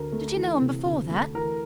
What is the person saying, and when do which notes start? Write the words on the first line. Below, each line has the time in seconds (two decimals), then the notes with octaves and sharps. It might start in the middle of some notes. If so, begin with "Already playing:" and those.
"Did you know him before that?"
Already playing: D2 A#4
0.12 A3
0.37 E3
0.61 C3
0.85 D2
1.10 A3
1.34 E3 A#4